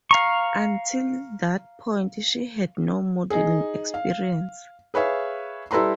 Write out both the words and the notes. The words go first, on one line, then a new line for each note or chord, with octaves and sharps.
Until that point she had no modelling experience.
F5 A#5 C#6
D#4 G#4
F5
G#4 B4 C#5 E5 F5
G3 E4 A4 B4 A#5 C6